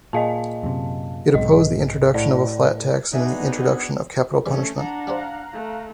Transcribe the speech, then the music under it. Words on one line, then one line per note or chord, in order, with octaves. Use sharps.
It opposed the introduction of a flat tax and the introduction of capital punishment.
A#2 G#4 D#5 F5 A5
F#2 C3
B1 G#2 C3 D#5
A2 D5
B3 D4 D#4 F#4 G#4 D5 E5 G#5
C#3 E3 G3 A3 C#4
D4 F#5 A#5
G3 G4 C5 F5 A#5 F#6
A3